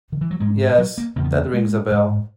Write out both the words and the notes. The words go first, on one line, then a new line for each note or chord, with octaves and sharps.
Yes, that rings a bell.
D#3
E3
F#3
G#2 G#3
F#3
A#3
E2 C#3 A#3
B3
A#3
G#3
G#2